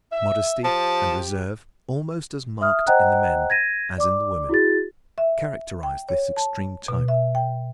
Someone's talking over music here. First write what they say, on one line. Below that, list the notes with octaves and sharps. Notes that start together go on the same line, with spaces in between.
Modesty and reserve, almost as marked in the men as in the women, characterize this extreme type.
E5
F3 G4 A5
E5 D#6 F6
C5 D#5 F#5 G5 A#5 F#6
G#6 A#6 D#7
D5 D6
E4 F#4 G#4 A6
E5
G5
C#5
A5
B2
E5
G5